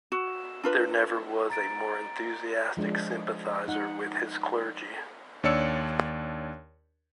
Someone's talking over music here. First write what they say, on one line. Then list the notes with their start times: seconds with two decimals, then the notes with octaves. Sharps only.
There never was a more enthusiastic sympathizer with his clergy.
0.12 F#4 E6 E7
0.64 D4 F4 B4
1.50 A#5 A6 D7
2.77 F3 G#3 D4
3.68 D#4 F#5
5.44 D#2 D4 C#5 D5 E6 C#7